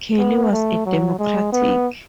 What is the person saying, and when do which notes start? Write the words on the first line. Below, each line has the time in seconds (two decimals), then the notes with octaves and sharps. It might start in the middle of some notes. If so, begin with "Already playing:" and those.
Kelly was a Democrat.
0.18 B3
0.52 A3
0.86 F#3
1.19 G#3
1.52 B3